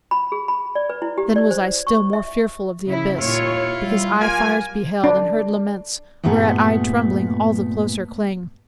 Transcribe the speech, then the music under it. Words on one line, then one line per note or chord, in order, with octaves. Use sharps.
Then was I still more fearful of the abyss; Because I fires beheld, and heard laments, Whereat I, trembling, all the closer cling.
B5
G#4
B5
D5
B4
E4
G4
D5
C5
C#6
E5
C#3 E4
D#2 A#2 E4 F4 C#5
G3
A#3 F4 G#5
D4
G2 A#2 A3 B3 G#4